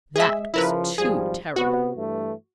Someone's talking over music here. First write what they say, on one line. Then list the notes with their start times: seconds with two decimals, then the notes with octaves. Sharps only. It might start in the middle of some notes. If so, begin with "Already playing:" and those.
That was too terrible!
0.16 G#3 G#4 E5
0.54 C#3 F3 E4 A#4 B4
0.98 G#1 F3 G3 G#4
1.56 C3 B3 F#4
1.96 G2 E3 A3